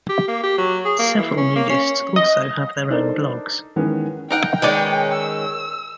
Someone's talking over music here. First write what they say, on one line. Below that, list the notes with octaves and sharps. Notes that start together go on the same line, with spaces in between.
Several nudists also have their own blogs.
G4
A#3
G4
F#3
G#4
A#3
E3
C#4
A#3
C#4
D#5
D4 D#4 A4 A#4 C5 D5
D#3 E3 G#3 B3 C#4
D#4 A#4 F#5 G5
D#3 G#3 C#4 B4 D5
E6